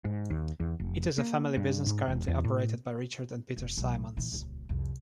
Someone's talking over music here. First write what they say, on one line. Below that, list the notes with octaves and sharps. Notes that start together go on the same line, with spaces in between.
It is a family business currently operated by Richard and Peter Simons.
G#2
D#2
E2
F1
A#3
G2
G#2
E1
E2
A2
F1
B1 G#3
A#2 E3
D#1 C#2
C2 F2